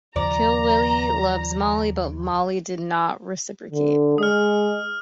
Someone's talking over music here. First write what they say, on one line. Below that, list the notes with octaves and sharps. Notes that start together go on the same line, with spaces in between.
Kilwillie loves Molly, but Molly did not reciprocate.
D#2 C#3 F3 D5 A#5
D3
G#3 D#6 F6